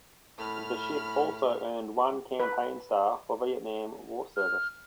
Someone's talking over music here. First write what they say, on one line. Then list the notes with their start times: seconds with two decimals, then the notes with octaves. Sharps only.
The ship also earned one campaign star for Vietnam War service.
0.39 A2 B5 F6
2.40 B4
4.36 F6